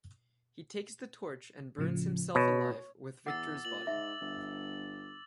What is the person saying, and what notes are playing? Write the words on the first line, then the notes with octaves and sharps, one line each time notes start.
He takes the torch and burns himself alive with Victor's body.
A2 C#3 F3
B2 C#5
E2 F#5 D6 E6 A6
A#2 F#7
G#2 E5
G1